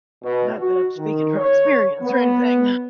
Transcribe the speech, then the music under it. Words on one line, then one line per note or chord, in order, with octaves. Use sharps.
Not that I'm speaking from experience or anything.
B2
F#4
D#3
C#5
B3